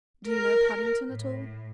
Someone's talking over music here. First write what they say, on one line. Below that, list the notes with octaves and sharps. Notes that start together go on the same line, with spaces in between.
"Do you know Paddington at all?"
A#4
A2